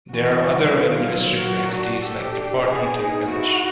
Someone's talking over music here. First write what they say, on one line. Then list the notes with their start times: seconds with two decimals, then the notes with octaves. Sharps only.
There are other administrative entities like department and village.
0.13 E3 F#4
0.45 G3
0.76 D#3 F4
1.08 F#3
1.39 F#4 A#4
1.71 D4
2.02 G4 A4
2.33 D4
2.65 B3 G#4
2.96 D#4
3.28 E4 F#4